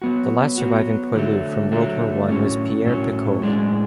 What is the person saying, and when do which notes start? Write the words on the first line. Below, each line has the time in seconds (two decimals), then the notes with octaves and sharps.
The last surviving poilu from World War One was Pierre Picault.
0.02 F#3 B3 F#4
0.58 F#3 B3 F#4
1.15 D3 F#3 A3
1.72 D3 F#3 A3
2.29 A2 F#3 C#4
2.85 A2 F#3 C#4
3.42 A2 G#3 D4